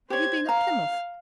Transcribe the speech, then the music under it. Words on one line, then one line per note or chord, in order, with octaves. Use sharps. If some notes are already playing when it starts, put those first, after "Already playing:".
'Have you been at Plymouth?
G4 C5 C#5 G#6
F5 A#5